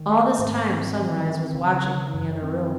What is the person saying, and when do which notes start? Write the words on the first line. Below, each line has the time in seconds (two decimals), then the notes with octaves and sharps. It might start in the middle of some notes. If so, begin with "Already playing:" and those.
All this time Sunrise was watching from the other room.
Already playing: D#3
0.09 A3
0.39 G#2
0.67 C4
0.97 D#3
1.25 C4
1.54 C#3
1.84 F#3
2.14 F#2
2.42 C4